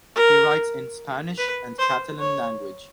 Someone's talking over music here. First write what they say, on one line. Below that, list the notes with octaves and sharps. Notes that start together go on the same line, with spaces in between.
He writes in Spanish and Catalan language.
A#4
B4
C5
C#5